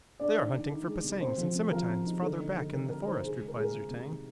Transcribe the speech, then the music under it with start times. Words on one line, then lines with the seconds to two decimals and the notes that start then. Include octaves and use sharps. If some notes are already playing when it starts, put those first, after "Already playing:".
"They are hunting for pisangs and scimatines farther back in the forest," replied Zu-tag.
0.20 D4 D5
0.37 D#3
0.54 D#3
0.70 D#3
0.87 G#3
1.04 C3
1.21 C4 C5
1.38 F3
1.55 C4
1.71 F3 A#4
1.88 C4
2.06 D#4
2.22 D3
2.40 D#4
2.56 D3
2.73 D#4 A#4
2.90 C4 A#4
3.07 D#4 C5
3.23 C3 G#4
3.40 G#3
3.48 A#4
3.57 G#3 G#4
3.64 A#4
3.73 C3
3.91 C3
4.07 D#3